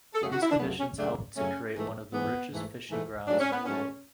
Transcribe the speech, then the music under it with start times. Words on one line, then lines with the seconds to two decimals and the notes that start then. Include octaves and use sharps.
These conditions helped to create one of the richest fishing grounds in the world.
0.15 A4
0.22 F#2 C#3 F#3 A3 G#4
0.32 F#4
0.42 E4
0.51 D4
0.60 F#2 C#3 F#3 A3 B3
0.79 C#4
0.98 F#2 C#3 F#3 A3 D4
1.37 F#2 C#3 F#3 A3 C#4
1.74 G#2 E3 A3
2.13 G#2 E3 A3 B3
2.52 G#2 E3 A3
2.90 G#2 E3 A3
3.27 G#2 F#3 A3 D4
3.40 C#4
3.52 B3
3.65 G#2 F#3 A3 C#4